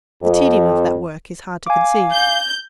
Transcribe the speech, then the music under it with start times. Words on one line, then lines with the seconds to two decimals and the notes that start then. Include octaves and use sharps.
The tedium of that work is hard to conceive.
0.23 F2
1.66 F5 G#5 D6
2.12 G6